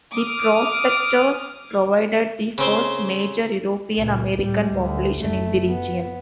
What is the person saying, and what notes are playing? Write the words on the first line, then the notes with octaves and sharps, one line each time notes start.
The prospectors provided the first major European-American population in the region.
D6 D#6 F6
C#3 C4 C5
C#2 A#2
A2 G3
D2
F#1 A3
B3